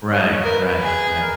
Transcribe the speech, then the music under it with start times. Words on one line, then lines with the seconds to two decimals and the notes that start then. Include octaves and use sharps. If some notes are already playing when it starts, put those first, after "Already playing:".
Right, right, right.
0.10 C#5
0.19 D#5
0.31 C#5
0.44 A#4 B4
0.83 G#4
1.20 A#4